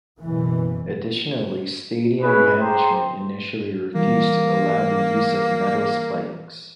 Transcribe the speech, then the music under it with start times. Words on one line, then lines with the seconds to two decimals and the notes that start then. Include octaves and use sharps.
Additionally, stadium management initially refused to allow the use of metal spikes.
0.19 F#1 F#2 B2 E3
2.21 C#4 E4 G#4 B4
2.60 G4 G#4 C5 G5 A#5 C6
3.95 E3 G3 A#3